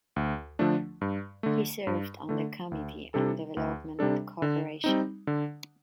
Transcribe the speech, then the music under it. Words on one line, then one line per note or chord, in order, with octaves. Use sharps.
He served on the Committee on Development and Cooperation.
D2
D3 F3 A3 D4
G2
D3 A3
G2
D3 A3
D2
C3 G3 D4 A4
D2
C3 G3 D4 A4
D3
G3 C4 D#4
D3